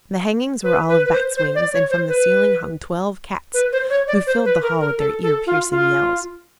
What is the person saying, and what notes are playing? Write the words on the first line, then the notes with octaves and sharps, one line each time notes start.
The hangings were all of bats' wings, and from the ceiling hung twelve cats, who filled the hall with their ear piercing yells.
B4
B4
B4
C5
C5
D5
C#5
C5
B4
B4
C5
C#5
D5
C5
B4
A#4
A#4
A4
A4
F4
F4